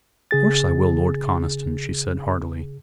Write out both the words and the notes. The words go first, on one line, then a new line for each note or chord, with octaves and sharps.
"Of course I will, Lord Conniston," she said heartily.
C#3 G#4 A6